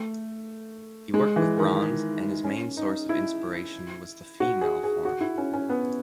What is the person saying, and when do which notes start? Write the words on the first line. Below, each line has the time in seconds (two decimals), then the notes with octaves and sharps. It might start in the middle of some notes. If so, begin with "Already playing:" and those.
He worked with bronze and his main source of inspiration was the female form.
Already playing: A3
1.14 G#3
1.36 E3
1.58 D#3
2.44 C#4
2.77 D#4
3.09 E4
4.40 F#4
4.61 G#4
4.84 G#4
5.05 F#4
5.21 E4
5.38 C#4
5.53 C#4
5.70 B3